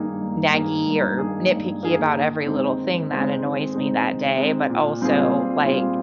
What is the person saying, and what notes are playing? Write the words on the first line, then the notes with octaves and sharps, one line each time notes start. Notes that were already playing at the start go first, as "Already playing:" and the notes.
naggy or nitpicky about every little thing that annoys me that day, but also, like,
Already playing: G2 D#3 A#3 D#4 G#4
G2
D#3 A#3 D#4 G#4
G2
D#3 A#3 D#4 G#4
G2
D#3 A#3 D#4 G#4
D#3
G#3 C4 D#4
D#3
G#3 C4 D#4
D#3
G#3 C4 D#4
D#3
G#3 C4 D#4
A#2
G3 C4 F4 G#4
A#2
G3 C4 F4 G#4